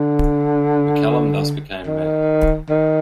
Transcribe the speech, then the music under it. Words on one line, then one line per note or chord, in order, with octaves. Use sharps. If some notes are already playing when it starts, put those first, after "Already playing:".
McCallum thus became mayor.
Already playing: D3
D#3
D#3